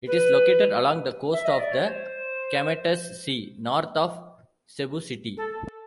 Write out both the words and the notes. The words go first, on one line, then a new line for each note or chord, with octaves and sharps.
It is located along the coast of the Camotes Sea, north of Cebu City.
B4
E5
D#5
D5
C#5
C5
A4